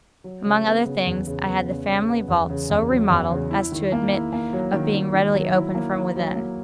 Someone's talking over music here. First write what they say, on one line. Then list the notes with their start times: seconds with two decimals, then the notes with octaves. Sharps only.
Among other things, I had the family vault so remodelled as to admit of being readily opened from within.
0.24 F#3
0.45 C#3
0.65 B3
0.86 C#3
1.06 E2
1.27 C#3
1.47 B3
1.68 C#3
1.88 C#3
2.08 B3
2.28 E2
2.50 C#3
2.70 E2
2.90 F#3
3.10 E2
3.31 C#3
3.51 E4
3.72 D#3
3.92 A#3
4.12 E4
4.33 A#3
4.53 F#3
4.73 D#3
4.94 D#3
5.13 D#3
5.35 F#3
5.54 E4
5.75 A#3
5.95 E4
6.16 F#3
6.36 A#3